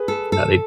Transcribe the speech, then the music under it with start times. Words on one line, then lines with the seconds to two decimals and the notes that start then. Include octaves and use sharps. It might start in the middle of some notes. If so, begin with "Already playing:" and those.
e now they
Already playing: G#4 B4
0.08 A4
0.32 A4